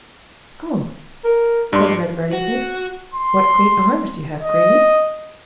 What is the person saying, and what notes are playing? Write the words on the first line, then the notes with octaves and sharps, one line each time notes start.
"Oh!" said Red Riding-Hood, "what great arms you have, Grannie!"
A#4
G2 D4 C6
F#4
C6
D#5